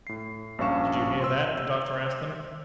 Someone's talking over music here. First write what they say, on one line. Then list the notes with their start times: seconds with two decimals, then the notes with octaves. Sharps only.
"Did you hear that?" the doctor asked them.
0.07 A2 C7
0.59 A#1 G2 C#4 F5 C#6 E7
1.20 C6 E6